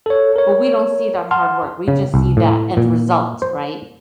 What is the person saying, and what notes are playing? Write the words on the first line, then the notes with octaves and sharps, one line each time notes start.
but we don't see that hard work, we just see that end result, right?
A4 C#5
A#4 C#5
F#5 A5 C6 F6
C#3
C2
A2
A#2
C5